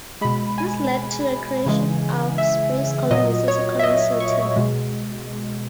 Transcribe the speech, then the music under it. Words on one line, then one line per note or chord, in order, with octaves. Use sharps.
This led to the creation of space colonies as a common setting.
B2 G#3 B5
G#5
C#3 E3 G#3
E5
A#2 F#3 D#5
C#5
E5
D#5
C#6
B2 G#3